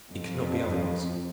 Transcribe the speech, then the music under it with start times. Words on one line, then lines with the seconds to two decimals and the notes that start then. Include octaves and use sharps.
It could not be otherwise.
0.12 F2